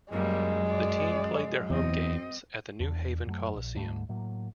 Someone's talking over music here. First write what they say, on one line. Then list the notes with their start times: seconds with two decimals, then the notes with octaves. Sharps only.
The team played their home games at the New Haven Coliseum.
0.12 F#2 G3 G#3 A#3
0.68 D5
1.70 E2 C4 D#5
2.80 E2 D4
3.27 F#2 F#3 G3 A3
3.55 A#1
3.75 D2 G#2 G3 A3
4.09 A2 F#3 A#3